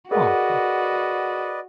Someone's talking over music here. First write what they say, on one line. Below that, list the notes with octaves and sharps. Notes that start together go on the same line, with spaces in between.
Oh, coo
F#4 G#4 A#4 B4 D5 D#5 F#5